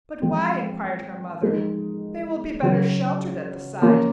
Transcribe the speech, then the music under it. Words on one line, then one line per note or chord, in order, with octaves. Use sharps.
"But why?" enquired her mother; "they will be better sheltered at the side."
F3 G#3 C4 F4
F3 G#3 D#4
C#3 F#3 C#4 F4
F3 A#3 C#4 F4